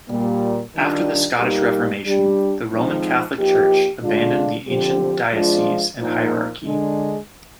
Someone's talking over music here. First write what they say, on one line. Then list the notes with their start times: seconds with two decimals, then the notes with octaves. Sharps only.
After the Scottish Reformation, the Roman Catholic Church abandoned the ancient dioceses and hierarchy.
0.08 A#2 G3 A#3
0.74 D#3 G3 D4 F4
1.39 A#2 G3 A#3 D#4 G4
2.05 G3 D4 G4
2.71 F3 G#3 C4 D#4
3.35 F3 A#3 D#4 G4
4.01 D3 G#3 D4 F4
4.67 D3 F3 C4 G4
5.33 F3 G#3 D4 F4
5.98 A#2 F3 A#3 D#4
6.63 D3 G#3 D4